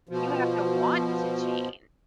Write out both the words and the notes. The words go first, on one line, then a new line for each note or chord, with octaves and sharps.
You have to want to change.
B2 F3